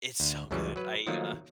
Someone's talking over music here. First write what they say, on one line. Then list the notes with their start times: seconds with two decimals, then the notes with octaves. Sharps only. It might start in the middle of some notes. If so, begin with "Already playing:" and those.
it's so good. I, uh
0.20 D2
0.51 C#2 F#2 C#3 E3 G3
0.76 F#3 B4
1.07 D#3 F3 F#3 A3 A#3 D#4